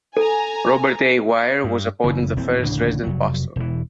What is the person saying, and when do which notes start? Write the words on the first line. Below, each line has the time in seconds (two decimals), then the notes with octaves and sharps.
Robert A. Weir was appointed the first resident pastor.
0.17 A4 G#5 A#5
1.64 G2
2.04 F#1 C#3 E3
2.37 D#1 D#2 E3 C4
2.62 D1 A1 C#3 D4
3.03 F1 F#3
3.56 E1 E3